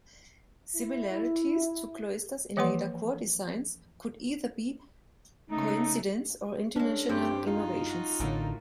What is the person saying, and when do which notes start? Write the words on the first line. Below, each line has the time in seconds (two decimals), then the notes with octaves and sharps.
Similarities to cloisters in later court designs could either be coincidence, or intentional innovations.
0.76 E4
2.57 E3 F3 A#3 B4 F#5 C6
5.50 C#3 A3 D#4
6.76 G#3 C#4 D4
7.09 G2 C4 G4
7.46 D#4 F4
7.89 F#4
8.20 A1 A2 D3 A3 A#3